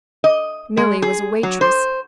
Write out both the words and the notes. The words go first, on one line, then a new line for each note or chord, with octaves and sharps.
Milly was a waitress.
D#5
G#3
G#4
F#3
C5